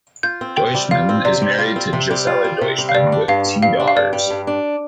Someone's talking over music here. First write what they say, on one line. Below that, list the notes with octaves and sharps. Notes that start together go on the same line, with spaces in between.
Deutschmann is married to Gisela Deutschmann, with two daughters.
F4 G6
C4
C3 G5
G3
F4 F5
C4
C3 D5
G3
F4
C4
C3
G3
F4
C4
C3
G3
F5
G2 D5
D4
G2 F5
G3
G2 F5
D4
F5
G2 D5
G3
G2
D4